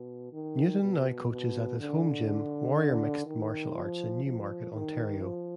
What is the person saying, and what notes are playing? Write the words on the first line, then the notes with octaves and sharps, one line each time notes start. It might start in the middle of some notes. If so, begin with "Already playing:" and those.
Newton now coaches at his home gym Warrior Mixed Martial Arts in Newmarket, Ontario.
Already playing: B2
D#3
B2
B2
D3
D#3
F3
F3
D#3
F3